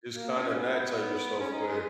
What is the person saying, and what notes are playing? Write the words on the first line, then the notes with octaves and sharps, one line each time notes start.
just kinda that type of stuff where
A#3
C#4
B3
C#4
D#4
G#3